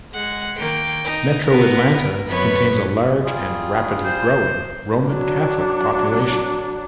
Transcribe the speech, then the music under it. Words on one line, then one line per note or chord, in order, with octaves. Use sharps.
Metro Atlanta contains a large, and rapidly growing, Roman Catholic population.
G#3 F#5
D#3 A#3 G5
D#4
B3 A#4 F#5
F#2 B3 B4 C#5
G3 F4 G#4
C5
F#3 D4